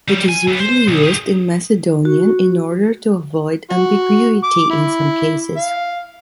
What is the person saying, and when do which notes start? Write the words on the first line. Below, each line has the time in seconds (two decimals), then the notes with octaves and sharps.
It is usually used in Macedonian in order to avoid ambiguity in some cases.
0.08 F#3 G3
0.29 G#5
0.48 F#3 B3
0.60 C5
0.88 B1
1.03 G4 G#4
2.05 F#4
3.70 F#4
4.43 D6
4.70 E4
5.57 F5